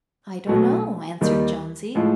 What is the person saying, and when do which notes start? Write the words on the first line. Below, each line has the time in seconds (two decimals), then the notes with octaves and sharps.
"I don't know," answered Jonesy.
0.47 B1 B2 F#3 A3
1.21 D#2 D#3 G3
1.95 A2 F3 G#3